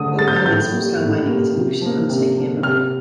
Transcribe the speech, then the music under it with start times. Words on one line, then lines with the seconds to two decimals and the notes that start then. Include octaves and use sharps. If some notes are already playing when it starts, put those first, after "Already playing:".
Gold panning and small-scale mining is a lucrative undertaking in Magdiwang.
Already playing: D3 A3 D#6
0.19 A3 A6
0.28 G6
0.36 A6
0.46 A2 G6
0.73 G3 A#3
1.00 A2
1.27 G3 A#3
1.55 C3
1.81 F3 A#3
2.10 C3
2.36 F3 A#3
2.63 C3 F6